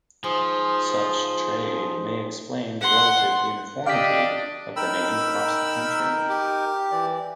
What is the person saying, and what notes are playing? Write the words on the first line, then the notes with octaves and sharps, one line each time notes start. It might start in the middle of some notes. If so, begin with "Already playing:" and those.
Such trade may explain the relative uniformity of the name across the country.
G#2 F3 G#5 C6 D#6
F#5 C6
D4 G4 D5 D#5 F5 B6
D#4 A#4 G5 B5 E6
G4
E3 D5